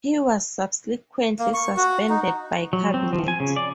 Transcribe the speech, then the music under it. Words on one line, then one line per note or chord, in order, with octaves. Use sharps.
He was subsequently suspended by Cabinet.
A#3
C#6
F#4
D#4
F#3
C4
F3
G#5
C#3
D5